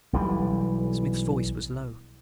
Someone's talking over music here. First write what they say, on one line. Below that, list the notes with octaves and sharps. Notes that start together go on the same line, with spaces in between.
Smith's voice was low.
B1 E3 G3